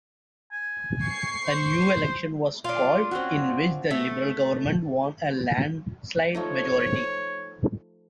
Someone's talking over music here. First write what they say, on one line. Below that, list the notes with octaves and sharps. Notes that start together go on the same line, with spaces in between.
A new election was called, in which the Liberal government won a landslide majority.
G#5
C#6 C7
C5
D4 F4
C4 C#4 F#4
A3 E5
F3 A3 D#4 C#5